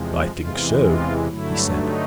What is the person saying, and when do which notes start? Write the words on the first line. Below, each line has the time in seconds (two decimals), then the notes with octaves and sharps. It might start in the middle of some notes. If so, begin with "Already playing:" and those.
"I think so," he said.
Already playing: E2 C3 F3 G#3
0.31 E2 C3 E3 G#3 F4
0.80 F4
1.27 G2 D3 F#3 A3 E4
1.77 D#4